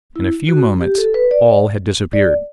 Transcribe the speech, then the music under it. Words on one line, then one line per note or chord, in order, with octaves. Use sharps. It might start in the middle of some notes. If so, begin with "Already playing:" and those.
In a few moments, all had disappeared.
E4
F#4
G4
A4
B4
D5
D5